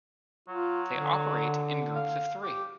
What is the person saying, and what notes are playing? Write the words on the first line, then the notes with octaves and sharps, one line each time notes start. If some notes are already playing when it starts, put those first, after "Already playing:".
They operate in groups of three.
F#3 F4
D3
F5
G4